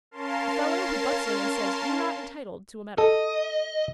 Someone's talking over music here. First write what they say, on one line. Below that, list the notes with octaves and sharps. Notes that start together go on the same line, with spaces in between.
The fellow who butts in and says you're not entitled to a medal.
C#4 A#4 F5 A5 C6
A4 D#5